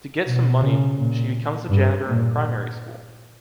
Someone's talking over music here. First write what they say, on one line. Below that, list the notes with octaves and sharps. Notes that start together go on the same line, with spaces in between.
To get some money, she becomes the janitor of a primary school.
B2
C#3
A#2
G2
A#2